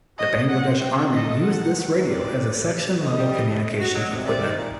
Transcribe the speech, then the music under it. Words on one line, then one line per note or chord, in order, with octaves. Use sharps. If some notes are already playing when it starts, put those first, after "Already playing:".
The Bangladesh Army use this radio as a section level communication equipment.
F#4 D#5
F#4
F#3 F#5
C5
F#3 G5
D4
A4 D#5
A4
F#2 F#5
F#2
A3
F#2
C4 D5
A#2
G3
G3
C4
D3
D3 D#5
G3
G3
A2
A2
F#4
F#3 D#5
C3
C3 D5
D#3
A#2